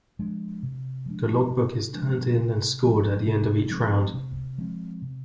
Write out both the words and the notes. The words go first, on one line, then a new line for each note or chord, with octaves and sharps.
The logbook is turned in and scored at the end of each round.
F3 G#3 D4
C3
F3 G#3 D4
C3
F3 G#3 D4
C3
F3 G#3 C4
C3
F3 G#3 C4
C3
F3 G#3 C4
C3